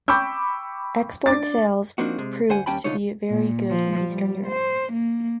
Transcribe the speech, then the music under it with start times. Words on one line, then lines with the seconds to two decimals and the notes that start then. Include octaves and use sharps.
Export sales proved to be very good in Eastern Europe.
0.08 G5 B5 C#6 D6 E6 G6
1.26 D4 D6 A6
1.98 F3 A#3 C4 D4 D#4 F#4
2.18 C3 G#3
2.49 D2 C5 F#5 G#5
2.66 D#2 G3 C#4 G5 A5 B5
2.84 C2 F2 D3 D#4 F4 C#5
3.29 A#2
3.69 F3
4.10 G3
4.47 C5
4.92 A#3